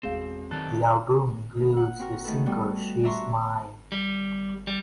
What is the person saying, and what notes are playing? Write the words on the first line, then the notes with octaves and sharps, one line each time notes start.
The album includes the single "She’s Mine".
E1 C4 G#4 F5
F#2 D#3 C4 G4 A4 D5 F#6
A#3
F#5
C4 F#4 A#4
D#3 A3 D#4 A4 B4
G3 A3 B3 F#4
D4 F#4 E5 A#5 C6 C#6
G3
G3